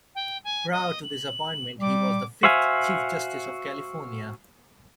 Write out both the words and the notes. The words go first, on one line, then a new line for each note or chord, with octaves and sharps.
Prior to this appointment, he was the fifth Chief Justice of California.
G5
G#5
D#5
F#7
G3 D6
F#4 C5 E5 F5 G#5